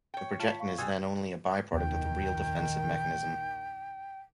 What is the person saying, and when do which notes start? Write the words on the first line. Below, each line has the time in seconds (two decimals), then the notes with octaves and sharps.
The projection is then only a by-product of the real defensive mechanism.
0.14 C#5 G5
0.40 F4 A5 B5
0.60 F5 C#6
0.78 B1 B2 G3 G#3 G#5 D#6 E6 G#6
1.73 F1 A#1 D#2 D#3 B3 G5